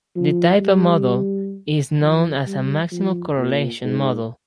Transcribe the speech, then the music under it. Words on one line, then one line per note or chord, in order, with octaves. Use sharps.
This type of model is known as a maximum correlation model.
F3
G3
F3
G3
F3
A#2
G#2